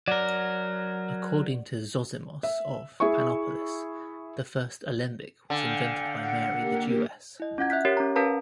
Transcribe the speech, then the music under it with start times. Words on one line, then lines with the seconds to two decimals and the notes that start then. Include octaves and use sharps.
According to Zosimos of Panopolis, the first alembic was invented by Mary the Jewess.
0.08 F#3 A#4 D5 F#5
2.43 E5
3.00 E4 G#4 E5 G#5 C#6
5.50 D3 F5 G5 G#5
6.24 F#5
6.58 A#3 G4 A#4
7.40 E4 D#5
7.58 C#4 F4 F#5 G#6
7.70 E5 F#6 G6 B6
7.85 G4 A#4 C#5
7.97 C#4 A#5
8.16 C#4 A#4 B4 F5 A5 A#5